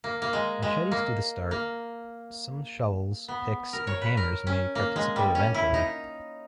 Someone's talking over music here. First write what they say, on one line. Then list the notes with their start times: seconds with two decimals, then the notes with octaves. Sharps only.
Machetes do the start, some shovels, picks and hammers may participate eventually.
0.04 A#3
0.22 A#3
0.33 G#3
0.62 G#3
0.92 A#3
1.51 A#3
3.28 B3
3.73 A#4
3.87 C#5
4.02 B4
4.17 A#4
4.47 C#4
4.75 A#3
4.96 G#3
5.16 G3
5.35 C#4
5.54 E4
5.74 D#4